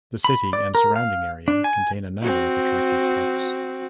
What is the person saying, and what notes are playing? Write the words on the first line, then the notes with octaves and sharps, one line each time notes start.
The city and surrounding area contain a number of attractive parks.
B5
D5
A#4
F5
D4
G#5
C4 F#4